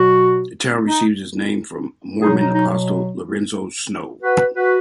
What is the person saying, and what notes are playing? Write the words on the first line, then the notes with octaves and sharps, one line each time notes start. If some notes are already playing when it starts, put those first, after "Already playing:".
The town received its name from Mormon apostle Lorenzo Snow.
Already playing: B2 F#3 F#4
D#4
B2 F#3 D#4 G#4
D#4
D#4
F#4 B4
F#4 B4